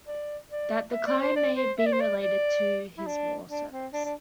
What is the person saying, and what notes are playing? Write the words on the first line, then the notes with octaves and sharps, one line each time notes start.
That decline may have been related to his war service.
D5
D5
E5
D5
C5
D5
C5
E5
D5
C5
D5
D5
E4
D4
D4
C4
D4
D4